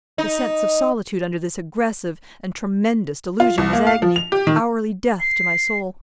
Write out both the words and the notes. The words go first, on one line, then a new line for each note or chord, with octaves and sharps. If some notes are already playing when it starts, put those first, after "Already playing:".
The sense of solitude under this aggressive and tremendous delusion was agony, hourly death to my soul.
D#4
F4
C2
A#3
F5
F3
F7
G4
D#3
C7